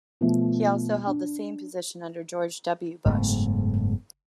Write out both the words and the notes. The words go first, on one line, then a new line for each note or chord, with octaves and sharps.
He also held the same position under George W. Bush.
B2 F3 A3
D4
F#1 G#2 A3 B3